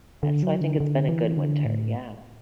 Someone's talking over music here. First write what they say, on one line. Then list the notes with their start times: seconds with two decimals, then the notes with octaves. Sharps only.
and so I think it's been a good winter, yeah.
0.23 D3
0.43 F#3
0.61 D3
0.80 D3
1.09 E3
1.37 D3
1.65 A2